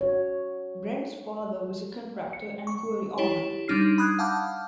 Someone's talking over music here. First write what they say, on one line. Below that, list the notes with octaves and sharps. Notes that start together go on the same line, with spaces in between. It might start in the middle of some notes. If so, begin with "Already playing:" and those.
Brent's father was a contractor and quarry owner.
F#4 C#5
C#7
C#6
E4 G4 C#5
G3 D4 D#4 F6 C7
B5 D#6 F#6 G#6
F5 F#5 A5 D6 F6 G6